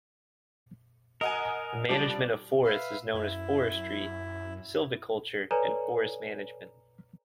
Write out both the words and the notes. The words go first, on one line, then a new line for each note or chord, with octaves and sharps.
The management of forests is known as forestry, silviculture, and forest management.
A#4 D#5 F#5 G#5
F3 G3 D4 D5
B4 E5 F5
F#2 E4
A4 B4 C#5 D5 G#5 A#5